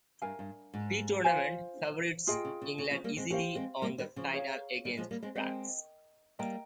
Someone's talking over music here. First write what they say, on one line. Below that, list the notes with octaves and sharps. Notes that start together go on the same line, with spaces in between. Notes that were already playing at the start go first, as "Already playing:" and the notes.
Pre-tournament favourites England easily won the final against France.
G2 A#4 F5 G#5
G2
G#2
F4 C5 F5 G#5
A#2 F4 G#4 D#5 G5
C#3
C#3
C#3
C#3 F3
G3 A#3
G#3 C4
A#3 C#4 G4 C5 F5
G#3 C4
G3 A#3
D#3 G3
C#3 F3
G#4 C#5 F5
D#3 G3
F3 G#3
G3 A#3
G#3 C4
G#3 C4 A#4 D#5 G5
G3 A#3 A#4 D#5 G5 A#5